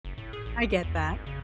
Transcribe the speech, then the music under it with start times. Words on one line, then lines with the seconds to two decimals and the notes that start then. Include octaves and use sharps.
I get that.
0.05 F#1
0.18 A2
0.33 G#4
0.46 A1
0.70 C2
0.83 E2
0.95 F2
1.10 G#1
1.26 C#3